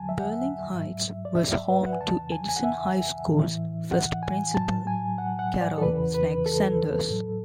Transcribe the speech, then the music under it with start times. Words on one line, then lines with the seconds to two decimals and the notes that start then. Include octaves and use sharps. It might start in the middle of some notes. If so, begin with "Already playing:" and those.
Berlin Heights was home to Edison High School's first principal Carroll "Snag" Sanders.
Already playing: E2 D3 F#3 G#5 A5
0.09 E5
0.20 F#5
0.32 E5
0.73 G#2 F#3
1.25 D5
1.36 E5
1.69 B4
1.86 F#5
1.93 G#5
2.00 E2 C#3 E3 A5
2.32 G#5
2.49 G#5
2.56 F#5
2.64 E5
3.28 A2 E3
3.92 F#5
4.23 G#5
4.55 A2 F#3 A5
4.87 G#5
5.18 F#5
5.39 F#5
5.61 D5
5.78 A4
5.81 E2 C#3 E3 B4
6.14 B4
6.46 A4
7.09 A2 F#3